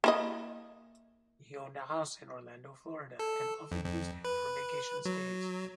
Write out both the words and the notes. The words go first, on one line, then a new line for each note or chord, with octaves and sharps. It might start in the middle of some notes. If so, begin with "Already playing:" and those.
He owned a house in Orlando, Florida, and often used it for vacation stays.
A#3 E4 D#5
A4
F2
F2
B4
F#3